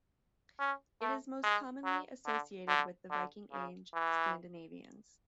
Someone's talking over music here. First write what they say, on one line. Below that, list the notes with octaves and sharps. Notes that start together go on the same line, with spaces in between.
It is most commonly associated with Viking Age Scandinavians.
C#4
A3
G#3
F#3
D3
D3
D3
C#3
E3